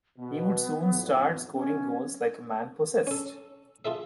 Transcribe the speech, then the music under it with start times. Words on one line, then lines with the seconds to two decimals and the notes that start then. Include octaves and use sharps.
He would soon start scoring goals like a man possessed.
0.18 B2 B3
0.89 B1 F2 A2
1.55 B1 C#4
3.07 C#4 A4
3.85 F4 G#4 A4 E5